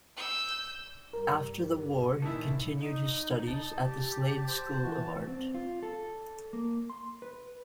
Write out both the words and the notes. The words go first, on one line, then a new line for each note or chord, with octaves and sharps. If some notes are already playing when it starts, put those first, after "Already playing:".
After the war, he continued his studies at the Slade School of Art.
E6 G6
G2 G3 A#4
A#1 D#3 E3 E4 A5
D#4
A5
G4
C5
E3 F#4
C4
F4
A4
A#3
C6
B4